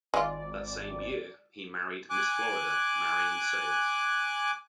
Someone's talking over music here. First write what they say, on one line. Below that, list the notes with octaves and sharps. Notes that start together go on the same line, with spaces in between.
That same year, he married "Miss Florida" Marion Sayers.
G#1 G#3 F4 D5
G#5 D6 F#6